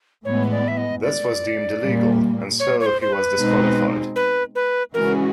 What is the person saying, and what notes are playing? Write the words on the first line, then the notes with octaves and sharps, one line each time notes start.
This was deemed illegal and so he was disqualified.
A2 E3 G#3 B3 C#5
D5
E5
D#5
D5
A#2 G3 A#3
C#5
C#5
C5
C5
B4
B2 G#3 C4 D#4
B4
B4
C#3 E3 G#3 C#4 F#4 A#4